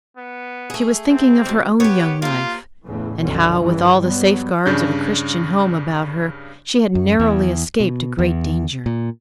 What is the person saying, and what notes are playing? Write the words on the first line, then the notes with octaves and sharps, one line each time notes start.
She was thinking of her own young life, and how, with all the safeguards of a Christian home about her, she had narrowly escaped a great danger.
B3
A3 G#4
C4
F2 B2
B3 G4 C#5
A#3 F4 C5
E2 A2 C#3 E3
F#1 C2 B2 D3 C#4
G2 C#3 E3
F#3 G3 B3
G2 C#3 D4 G6
F#2
E2
B2
E2
A#2